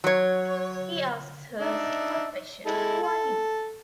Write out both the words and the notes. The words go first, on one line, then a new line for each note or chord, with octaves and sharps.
He asks her a simple question: Who are you?
F#3 C#5
D4 D#4 E5
G#3 E4 A4
A4